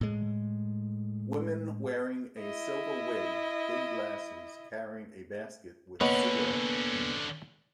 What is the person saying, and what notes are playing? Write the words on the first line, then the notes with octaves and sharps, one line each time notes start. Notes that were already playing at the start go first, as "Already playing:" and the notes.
Women wearing a silver wig big glasses carrying a basket with cigarette in hand.
A2 G#3
E4 D#5
D3 A#3 B3 C#4 B4 C#5 D#5 F#5